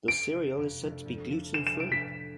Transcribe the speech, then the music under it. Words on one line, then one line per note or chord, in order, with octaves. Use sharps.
The cereal is said to be gluten free.
F2 D7
C3 F3 A3 D4
F2
C3 F3 A3 D4
F2
C3 F3 A3 D4
F2 E7
E7
C3 F3 A3 D4 D7
B6
A2